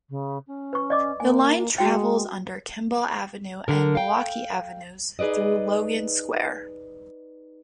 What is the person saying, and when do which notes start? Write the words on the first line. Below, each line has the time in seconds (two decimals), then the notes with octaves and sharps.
The line travels under Kimball Avenue and Milwaukee Avenues through Logan Square.
0.10 C#3
0.47 C#4
0.73 B4 C#6
0.90 D5 D#5 D6
1.20 A#3 G#5
1.78 G#3 F#4 G5
3.68 D3 A#4
3.95 F5 G5
5.19 D#4 G#4 B4 D5 D#5